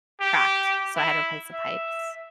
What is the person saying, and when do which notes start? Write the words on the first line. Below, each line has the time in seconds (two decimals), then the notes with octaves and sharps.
cracked, so I had to replace the pipes.
0.20 G4
0.96 E4
1.52 E5